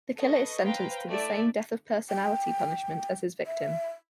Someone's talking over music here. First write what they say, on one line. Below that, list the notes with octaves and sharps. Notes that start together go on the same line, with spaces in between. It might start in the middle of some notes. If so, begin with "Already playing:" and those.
The killer is sentenced to the same "death of personality" punishment as his victim.
A4 B4 D#5 C#6
B4 C5 F5 G5 A#5
A3 E4 D5 E5
G5
E5